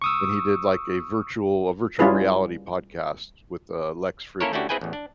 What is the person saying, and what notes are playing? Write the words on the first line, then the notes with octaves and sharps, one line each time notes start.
and he did, like, a virtual a virtual reality podcast with, uh, Lex Fridman.
C#6 D#6 E6
G3 C#4 E4 F4 G#4 B4
A#3 C#4 E4 A4 A#4 C#5
A3 C#4 D4 E4 F#4 G4
C4 E4 G#4 B4 G5 G#5
A1 E2
D4